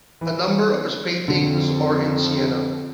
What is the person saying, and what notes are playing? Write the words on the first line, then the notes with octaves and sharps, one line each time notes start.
A number of his paintings are in Siena.
E3
F2 D3